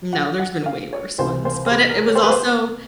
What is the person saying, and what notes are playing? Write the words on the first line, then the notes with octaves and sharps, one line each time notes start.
No, there's been way worse ones., but it it was also
F#5
F#5
F5
C#5
C#2 C3 E3 C5
C5
C5
B4
A#4
C#5
C5
B4
C5